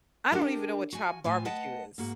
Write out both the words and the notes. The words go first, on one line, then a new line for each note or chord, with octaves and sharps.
I don't even know what chopped barbecue is.
D2 D4 G4 A#4 G5 A5
F#4 G#5
A2 F4 G#5
B4 D#5 F#5 G5 A5
G#2 A#3 F#4